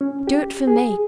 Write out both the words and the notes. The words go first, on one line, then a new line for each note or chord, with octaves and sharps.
Do it for me....
C#4
G4
G#4